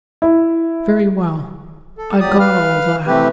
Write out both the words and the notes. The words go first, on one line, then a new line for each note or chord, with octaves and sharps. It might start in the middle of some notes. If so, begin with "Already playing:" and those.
Very well--I've got all that.
E4
A4
E2 F#3 G4 D5 D#6
B4 F5 F6
C3 E3 A3 C4 G4 B4